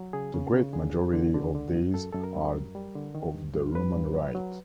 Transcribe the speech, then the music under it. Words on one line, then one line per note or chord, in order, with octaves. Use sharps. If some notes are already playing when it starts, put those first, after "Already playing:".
The great majority of these are of the Roman Rite.
Already playing: F#3
C#3 G#4
C#3
C#3
D3 G#4
F#2
D3
D3
D3
F#2
F#2 A4
F#2 A4
A#4
G3
F#2
G3
D3
D#3
G2
G2
G2 B4
G2
F#3
F#3